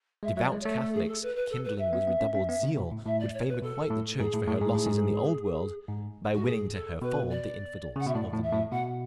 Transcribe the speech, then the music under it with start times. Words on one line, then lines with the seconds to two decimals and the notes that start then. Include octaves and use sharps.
Devout Catholics, kindling with redoubled zeal, would fain requite the Church for her losses in the Old World by winning to her fold the infidels of the New.
0.23 G#3 E5
0.35 F#3 E5
0.42 D5
0.52 G#3
0.61 A3 C#5
0.79 A4
0.93 G#4
1.04 G#4
1.08 A4
1.23 B4
1.36 B4
1.50 A4
1.64 B4
1.79 E5
1.93 B3
2.08 B3
2.21 C#4
2.35 C#4
2.49 B3
2.63 C#3
2.77 B2
2.91 A2
3.06 A2 E5
3.20 D5
3.34 C#5
3.48 B4
3.62 B2 A4
3.90 A2
4.14 A4
4.19 G#2 G#4
4.34 A2
4.47 A2
4.61 G#2
4.74 A2
4.86 G#2
5.89 G#2
6.34 G#2 F#4
6.45 A2 G#4
6.74 A4
7.02 B2 B4
7.30 D5
7.96 C#3 F#5
8.06 B2 E5
8.14 A2 D5
8.33 A2
8.43 E5
8.53 A2
8.71 B2 F#5